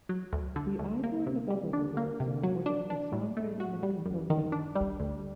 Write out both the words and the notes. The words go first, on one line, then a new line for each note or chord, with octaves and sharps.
The Ivor Novello Awards are awarded for songwriting and composing.
F#3
D2
D3
D2
A#3
C3
G3
D4
A#3
C3
F#3
D4
D4
A2
A3
F#4
G3
F#2
D#3
D4
G3
D2